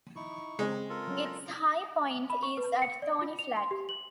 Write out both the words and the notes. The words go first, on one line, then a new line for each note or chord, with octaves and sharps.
Its high point is at Thorny Flat.
D#4 E4 C#6
C#3 G#3 C4
F4 A4 A#4
F#3 C#4
B5
C#6
B4
C#7
D5
F4
F7
C6
G4
F#7